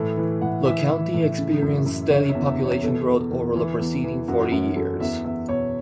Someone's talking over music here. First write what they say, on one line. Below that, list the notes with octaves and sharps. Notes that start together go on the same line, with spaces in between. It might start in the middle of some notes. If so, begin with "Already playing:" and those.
The county experienced steady population growth over the preceding forty years.
Already playing: A2 E3 A4
E3
A2 F#5
E3 E5
E3
A2
C#3
F#2
F#2
C#3 C#5
E5
E2
E5
E3
C#5
B2 A4
E2
E2
E3
E2
E3
F#2 F#4
F#2 C#4
F#2 A4
E2 E5
E2 E5
B2 C#5